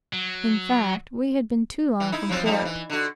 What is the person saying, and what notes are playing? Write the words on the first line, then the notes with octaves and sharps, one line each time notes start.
In fact, we had been too long from port.
F#3
E3
D#4 E4
F3 F#3 C4
F2 G3 D#4
E3
D3 F#4